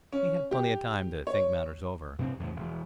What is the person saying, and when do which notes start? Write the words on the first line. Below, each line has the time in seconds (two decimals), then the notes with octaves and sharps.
He had plenty of time to think matters over.
0.12 C#4
0.51 G4
1.27 C#5
2.19 G2 C3 C4
2.40 E2 A2 C#3 F3
2.56 E1